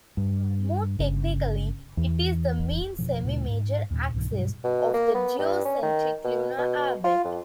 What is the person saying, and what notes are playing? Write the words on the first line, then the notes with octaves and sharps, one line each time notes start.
More technically, it is the mean semi-major axis of the geocentric lunar orbit.
G2
G1 C#3
E2
F1 B2 F3
D2 A#2 C#3 G#3
G#2
D#2 A#2
C2 G#2 B2 E3
G2 B2 G3
B2
A#3
B3
G2
C#4
D#3
B2
B2
B2
F4
F2